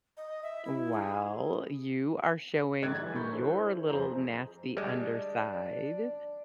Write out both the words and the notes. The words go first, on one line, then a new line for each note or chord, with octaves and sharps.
Well, you are showing your little nasty underside
D#5
E5
E4
G#4
A#1 G#2 D3 F#6 G#6 A6
E3 G3
A#4 B5 C#6 G6
D4 E4 G#4 A4 C5
F2 F3 G#4 C5 A#5
G3 G#3 D4